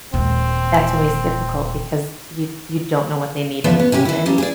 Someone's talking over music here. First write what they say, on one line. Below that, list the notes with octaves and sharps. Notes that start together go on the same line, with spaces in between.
that's always difficult because you you don't know what they need in the moment.
D#1 G#3 C4
E2 F3 B3 F4
B3
C3 C#4 F#4 G4
E3 E4
C#3 F#3 G3
G#4 B4 D5